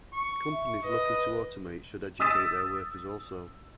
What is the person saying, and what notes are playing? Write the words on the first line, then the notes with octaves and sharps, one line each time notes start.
Companies looking to automate should educate their workers also.
C#6
E5
B4 D#5
D#6 E6 A6 B6 E7